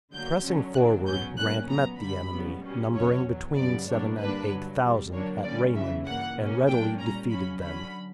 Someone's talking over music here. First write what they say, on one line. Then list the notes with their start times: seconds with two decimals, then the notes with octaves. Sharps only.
Pressing forward, Grant met the enemy, numbering between seven and eight thousand, at Raymond, and readily defeated them.
0.14 D3 F#3 A#3 G6
0.45 D3 F#3 C#4
0.75 D3 F#3 A#3 D4 F#6
1.07 E2 B2 F#3 C#4 G6
1.38 B2 G3 A#3 C#4 F#6
1.69 A#2 F#3 B3 A#5
2.00 G2 D3 G3 B5
2.32 F#2 C#3 G3 B3
2.63 B2 G3 C#4
2.94 E2 C#3 F#3 C#4 C#5
3.25 E2 B2 F#3
3.56 F#2 C#3 G3 B3 D5
3.87 B2 F#3 A#3 D4 C#5
4.19 G2 D3 A#3 D4 B4
4.50 G2 D3 F#3
4.82 E2 B2 G3
5.12 D3 F#3 A#3 D4 C#5
5.44 D3 G3 C#4 D5
5.75 F#2 C#3 E3 E5
6.06 G2 E3 A#3 F#5
6.37 B2 A#3 C#4
6.68 A#2 F#3 A#3 D4 G5
6.99 A#2 G3 C#4 A#5
7.30 C#3 F#3 C#4 B5
7.62 D3 F#3 C#4 B5